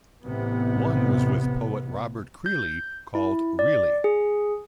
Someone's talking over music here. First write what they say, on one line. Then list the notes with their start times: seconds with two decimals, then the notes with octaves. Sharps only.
One was with poet Robert Creeley called "Really!".
0.24 A1 C3 B3
2.46 G6
3.15 E4
3.59 D5
4.04 G#4